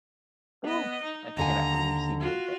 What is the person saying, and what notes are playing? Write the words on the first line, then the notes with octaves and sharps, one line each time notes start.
ooh, I cannot believe she did that.
B3 D#5
D#4
D#2 D3 G#5 A#5
F4 F#4